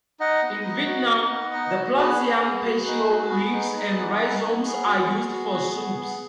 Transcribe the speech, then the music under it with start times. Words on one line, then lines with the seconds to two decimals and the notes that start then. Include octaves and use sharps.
In Vietnam, the plant's young petiole leaves and rhizomes are used for soups.
0.20 D#4 D#5 F#5
0.42 B3
0.64 D#4
0.86 F#4
1.09 D#4
1.31 B3
1.53 D#4
1.75 F#4
1.97 B3 G#4 B4
2.20 B3
2.42 B3
2.64 F#4
2.86 D#4
3.08 F#4
3.30 B3
3.53 D#4
3.76 D#4
3.98 B3
4.20 D#4
4.42 B3
4.64 B3 G#4
4.86 F#4
5.09 B3
5.30 F#4
5.52 B3
5.75 B3
5.97 B3